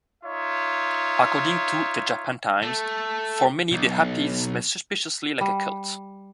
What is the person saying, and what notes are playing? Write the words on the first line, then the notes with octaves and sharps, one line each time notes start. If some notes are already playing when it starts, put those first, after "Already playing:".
According to "The Japan Times", "for many, the Happies smell suspiciously like a cult".
D#4 F4 C#5 E5
A3
B1
G3